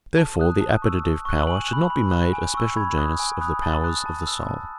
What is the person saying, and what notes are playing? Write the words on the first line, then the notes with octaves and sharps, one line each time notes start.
Therefore the appetitive power should not be made a special genus of the powers of the soul.
A5
D#6 F#6
A5
C#6 E6
A5
C#6 F#6
G#5 F#7
B5 F#6
B5
F#6
G#5
C#6 E6
B5 G#6
D#6 F#6
G#5
B5 D#6 F#6
A5 A6
D#6 F#6
A5
E6
A5